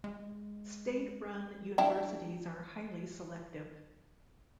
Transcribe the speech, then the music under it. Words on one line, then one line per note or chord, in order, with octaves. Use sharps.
State-run universities are highly selective.
G#3
D4 E4 G5